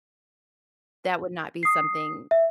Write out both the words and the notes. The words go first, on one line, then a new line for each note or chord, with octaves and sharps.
that would not be something
D#6 C7
E5